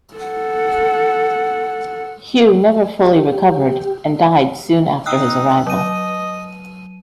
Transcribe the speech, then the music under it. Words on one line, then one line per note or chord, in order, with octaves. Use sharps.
Hugh never fully recovered, and died soon after his arrival.
A4 F#5
G4
D#4 G5 E6 F#6
F#3 D#5 D#7